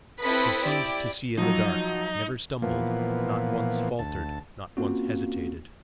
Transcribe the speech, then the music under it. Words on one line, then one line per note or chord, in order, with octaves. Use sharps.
He seemed to see in the dark; never stumbled, not once faltered, not once hesitated.
C4 E4 A4 B4 D#6 B6
E4 G4 D5
F3 F#3 D#4
A#2 E3 F3 A#3 B3
D2 A5
A#3 C4 C#4 F4 F#4